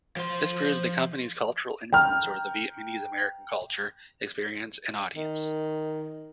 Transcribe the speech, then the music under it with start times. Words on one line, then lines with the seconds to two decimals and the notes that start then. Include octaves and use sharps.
This proves the company's cultural influence over the Vietnamese American culture, experience and audience.
0.16 F3 C6
1.93 G5 A#5 F6
5.15 D#3